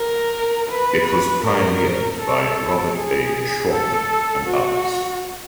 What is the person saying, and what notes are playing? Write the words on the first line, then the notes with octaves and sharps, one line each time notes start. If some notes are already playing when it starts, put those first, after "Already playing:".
It was pioneered by Robert A. Schorton, and others.
Already playing: A#4
B4
B4
A#4
A4
G#4
A4
F#4